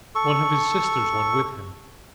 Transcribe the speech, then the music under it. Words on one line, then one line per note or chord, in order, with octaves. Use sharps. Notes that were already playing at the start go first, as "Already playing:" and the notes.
One of his sisters went with him.
A4 C#6